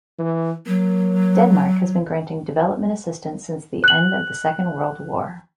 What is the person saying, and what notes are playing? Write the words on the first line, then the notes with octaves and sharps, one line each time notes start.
Denmark has been granting development assistance since the end of the Second World War.
E3
F#3 A#3
F#6 F#7